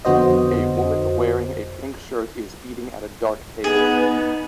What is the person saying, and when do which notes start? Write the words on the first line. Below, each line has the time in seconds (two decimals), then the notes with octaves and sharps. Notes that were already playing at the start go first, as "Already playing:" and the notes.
A woman wearing a pink shirt is eating at a dark table.
0.05 F2 D3 B3 F#4 C5 D#5
3.64 B3 D#4 G#4